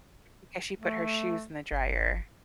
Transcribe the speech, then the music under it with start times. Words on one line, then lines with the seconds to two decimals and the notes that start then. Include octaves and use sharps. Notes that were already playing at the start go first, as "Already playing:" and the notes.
because she put her shoes in the dryer.
0.80 A3
1.72 G1